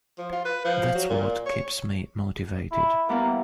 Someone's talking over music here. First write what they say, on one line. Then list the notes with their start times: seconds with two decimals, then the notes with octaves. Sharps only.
That's what keeps me motivated.
0.18 F3
0.32 F4
0.45 B4
0.64 F3
0.95 F#3
1.09 A#2
1.46 C#5
2.72 E4
3.09 G3 A#3 B3 E4